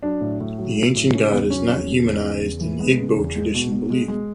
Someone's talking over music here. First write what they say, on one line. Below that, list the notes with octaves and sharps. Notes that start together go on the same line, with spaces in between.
The ancient God is not humanized in Igbo tradition belief.
F#3 D4
A2
A2
F#3
F#3
A2
C#3 C#4
E2 B3
F#3 C#4
E2
C#3
E2
C#3
E2
E3
G#3 B3
C#3
E2
G#3
B2
B2
G#3
G#3